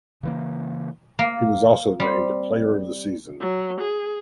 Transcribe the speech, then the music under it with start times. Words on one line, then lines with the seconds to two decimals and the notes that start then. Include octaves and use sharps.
He was also named player of the season.
0.23 C#3 E3 A#3
1.19 A#3
2.00 G3 C4
3.40 F#3
3.80 G#4